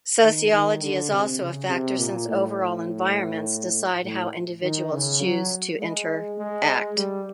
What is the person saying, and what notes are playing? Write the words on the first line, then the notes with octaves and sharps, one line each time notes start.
Sociology is also a factor since overall environments decide how individuals choose to interact.
D#3
D#3
D3
C3
C#3
C3
A#2
A2
A2
D#3
C#3
F#3
G#3
G#3
G3